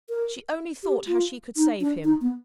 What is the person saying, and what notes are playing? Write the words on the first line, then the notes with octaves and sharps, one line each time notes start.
She only thought how she could save him.
A#4
G4
F4
D#4
D4
D#4
B3